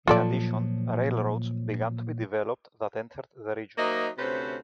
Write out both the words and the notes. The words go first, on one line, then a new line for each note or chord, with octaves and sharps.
In addition, railroads began to be developed that entered the region.
A#2 F3 F#3 F4 A4 D5
F#3 A#3 D#4 C5 D#5 E5
D2 C3 C#4 B4 C5